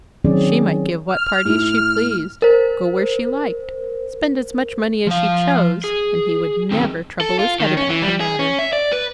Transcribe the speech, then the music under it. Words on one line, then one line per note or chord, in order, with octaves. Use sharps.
She might give what parties she pleased, go where she liked, spend as much money as she chose, and he would never, trouble his head about the matter.
D#3 F#3 C4 C#4 G#4 D5
F6
A2 E4
A#4 C5
F3 F5
G#4
D#3 F#3 G#3 C4
A4
F4
D#3
C#4
E3
G3
G#4
C#4
E5
D5
B4